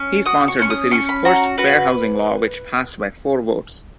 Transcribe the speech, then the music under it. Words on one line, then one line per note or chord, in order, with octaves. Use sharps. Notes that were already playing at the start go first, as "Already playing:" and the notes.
He sponsored the city's first fair housing law, which passed by four votes.
Already playing: C#4
F#4 D#6
C#6
C#4 C#6
D#6
C#4 C#6
B5
F#4 A#5
F#4 B4